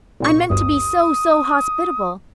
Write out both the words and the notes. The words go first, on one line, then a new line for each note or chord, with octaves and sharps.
I meant to be so--so--hospitable.
C2 A#2 C#6
G1 D2 G2 D#6